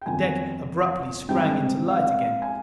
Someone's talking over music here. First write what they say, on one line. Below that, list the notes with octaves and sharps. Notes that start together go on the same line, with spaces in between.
The deck abruptly sprang into light again.
G5
G1 F2 D#3 G#5
G#2 G3 C4 D#4 G5
F5
F5
G#5